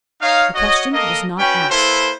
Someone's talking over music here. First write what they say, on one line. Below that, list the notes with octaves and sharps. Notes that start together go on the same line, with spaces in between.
The question was not asked.
D#4 C#5 F5
F#4 C#5 D#5
A#3 A4 D#5
C#4 F#4 B4 G5
A#3 E4 A4 B4 C5